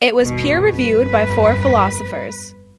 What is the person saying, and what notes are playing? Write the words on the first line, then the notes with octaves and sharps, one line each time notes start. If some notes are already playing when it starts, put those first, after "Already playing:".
It was peer reviewed by four philosophers.
G1 D#2 B2
G1 F2 B4